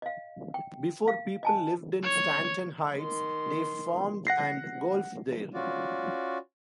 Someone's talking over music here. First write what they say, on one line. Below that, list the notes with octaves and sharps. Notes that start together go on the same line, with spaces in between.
Before people lived in Stanton Heights, they farmed and golfed there.
D#5 F5
G5
F5
D#5 G#5 A5
C#5
D#3 C6
F#5 A#6 C7
C#4 F4 F#4 D5